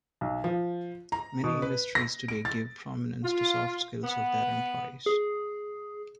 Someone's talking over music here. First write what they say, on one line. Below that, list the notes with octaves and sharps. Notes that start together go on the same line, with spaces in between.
Many industries today give prominence to soft skills of their employees.
B1
F3
A#5
B2
B4
A#6
D7
A6
F4
B3
G#4